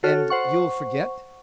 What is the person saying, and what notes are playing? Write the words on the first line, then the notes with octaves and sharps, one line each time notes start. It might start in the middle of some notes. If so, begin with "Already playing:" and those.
"And you'll forget?"
F#4 A4 C#5 F6
C5 F#5 C#6